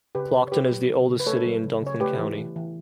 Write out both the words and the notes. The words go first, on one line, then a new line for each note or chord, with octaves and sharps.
Clarkton is the oldest city in Dunklin County.
C#3 G4 B4
C#3
C#5
B3 G4 B4
F#3
C#3
C#3
B4
A3 A4 C#5
F#3
C#3
C#3 C#5
A3 G4 B4
E3
E3
E3